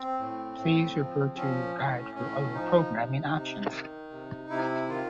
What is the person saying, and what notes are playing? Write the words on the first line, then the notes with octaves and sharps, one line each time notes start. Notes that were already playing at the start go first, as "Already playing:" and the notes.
Please refer to your guide for other programming options.
Already playing: C4
A2
A2
F3
F3 C#4
A2 C#4
A2 C#4
F3 D#4
C3
C3
D#3
C3
C3 E4
D#3 F4